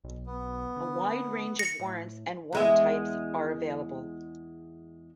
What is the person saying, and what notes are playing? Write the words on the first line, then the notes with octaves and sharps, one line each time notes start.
A wide range of warrants and warrant types are available.
B1
B3
D3
A#6 C#7
A2
E2 G#3 E5